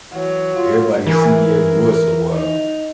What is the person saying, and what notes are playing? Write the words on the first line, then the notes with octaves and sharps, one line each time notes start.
everybody will see me every once in a while.
E3 F#3
F4
E3 G#4 A#4
D#4